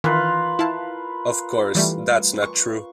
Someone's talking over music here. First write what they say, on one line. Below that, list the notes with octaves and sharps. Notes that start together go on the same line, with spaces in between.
Of course that's not true.
D#3 E3 F4 A#4 B4
E4 F5 A5
E3 G3 A3
C#6